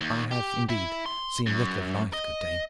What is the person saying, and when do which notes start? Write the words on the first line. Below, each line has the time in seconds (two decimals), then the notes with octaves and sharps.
"I have indeed seen little of life, good dame."
0.01 D#2
0.31 G4
0.69 E4
1.06 C6
1.47 F#2
2.13 D#5